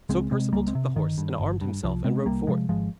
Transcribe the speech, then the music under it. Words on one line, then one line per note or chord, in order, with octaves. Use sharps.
So Perceval took the horse, and armed himself and rode forth.
C#2 G#3 C4
C3 G#3 C4
C#2 G3 A#3
G#3 C4
C3
G1 D#3
G2
G1
G2
C2 F3
C3 G#3 C4
C2 G3 A#3
C3 F3 G#3
G#1 F3 G#3